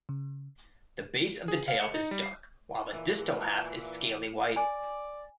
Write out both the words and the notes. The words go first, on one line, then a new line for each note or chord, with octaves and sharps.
The base of the tail is dark while the distal half is scaly white.
C#3
G#4
F5
C#7
D#4
G3
C7
A#2 E3
D5 G#5